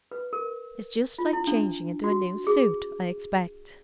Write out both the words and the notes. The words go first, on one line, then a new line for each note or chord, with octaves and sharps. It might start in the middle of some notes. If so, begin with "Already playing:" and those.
It's just like changing into a new suit, I expect.'
B4
A#4
F4
E4
D4
F#4
G#4